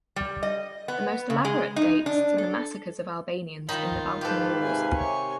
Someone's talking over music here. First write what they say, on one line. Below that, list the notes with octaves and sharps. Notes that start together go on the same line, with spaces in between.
The most elaborate dates to the massacres of Albanians in the Balkan Wars.
G3
D#5
B3
C#3
G#3
D#4
D4
A4
D#3 D#4 F4 B5
G#2 G4 A4 B4 F5
C3 G#5
C#5 G#5